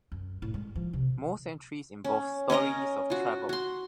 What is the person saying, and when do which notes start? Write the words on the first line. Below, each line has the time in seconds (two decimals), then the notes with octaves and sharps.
Most entries involved stories of travel.
0.12 F#2
0.42 A2
0.54 G#3
0.76 F3
0.93 C3
2.04 C#4
2.50 C#4 A#4 D#5 A#5
3.10 F4 F#4
3.49 F#4 C6